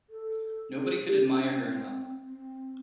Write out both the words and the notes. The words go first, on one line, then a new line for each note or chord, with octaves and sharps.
Nobody could admire her enough.
A4
G#4
G4
C#4
C#4
C4
C4